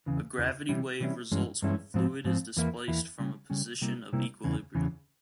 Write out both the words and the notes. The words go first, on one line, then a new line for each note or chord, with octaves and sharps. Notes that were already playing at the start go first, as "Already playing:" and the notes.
A gravity wave results when fluid is displaced from a position of equilibrium.
E2 C#3 E3
E2 C#3 E3
C3 E3 G3 C#4 E4
C3 E3 G3 C#4 E4
G2 E3 G#3 C#4 E4
G2 E3 G#3 C#4 E4
G#2 F3 C4
G#2 F3 C4
E2 E3 A#3 E4
E2 E3 A#3 E4
C#3 G3 C#4
C#3 G3 C#4
C3 G3 A#3 E4
C3 G3 A#3 E4
E2 C#3 E3
E2 C#3 E3